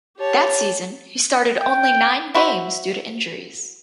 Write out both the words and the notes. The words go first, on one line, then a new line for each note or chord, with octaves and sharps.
That season, he started only nine games due to injuries.
G4 C#5 A5
G5
E4 F#4 C5 E5